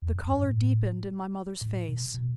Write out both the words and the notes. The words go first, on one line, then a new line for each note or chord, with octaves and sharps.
The color deepened in my mother's face.
E2
F#2
G2
A2
A2
B2
B2